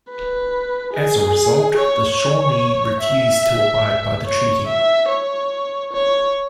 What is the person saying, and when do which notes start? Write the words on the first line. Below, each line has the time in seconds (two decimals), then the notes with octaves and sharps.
As a result, the Shawnee refused to abide by the treaty.
0.10 B4
0.93 G#4
1.77 C#5
2.18 C#5
3.01 E5
4.25 C#5
4.67 E5
5.09 C#5
5.93 C#5